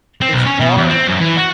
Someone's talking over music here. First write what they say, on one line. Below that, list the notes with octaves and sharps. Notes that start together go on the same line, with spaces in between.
it's hard
C4
B1
C#4
B2
E2
C4
F#2
E3
F#4